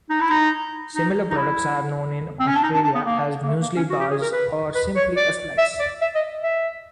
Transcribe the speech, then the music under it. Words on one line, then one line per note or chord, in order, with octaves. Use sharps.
Similar products are known in Australia as muesli bars or simply 'a slice'.
D#4
E4
D#4
D#4
D#4
E4
C4
C#4
D4
D#4
D4
D4
B3
A#3
A#3
A3
A#3
C#4
F#4
G4
G#4
A#4
B4
B4
C#5
D5
E5
D5
E5
D#5
E5